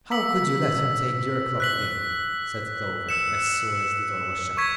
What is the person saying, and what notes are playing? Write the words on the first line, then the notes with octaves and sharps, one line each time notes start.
"How could you let him take your clock again?" said Clover, as soon as the door was shut.
E6 B6 F#7
F#6 B6 F#7
E6 C#7 E7
C#6 G#6 B6